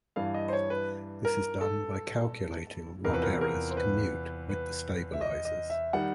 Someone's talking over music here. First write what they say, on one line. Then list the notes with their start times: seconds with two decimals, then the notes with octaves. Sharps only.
This is done by calculating what errors commute with the stabilizers.
0.16 G2 E3 G3 F5
0.34 D#5
0.49 C5
0.53 C#5
0.70 B4
1.25 A#4
1.61 A4
3.04 E2 C3 F3 A#4
3.14 B4
3.23 A#4
3.41 A#4
3.71 C5
3.77 B4
4.49 B4
5.14 E5
5.21 D#5
5.45 D#5
5.70 E5
5.93 D#3 G3 F#5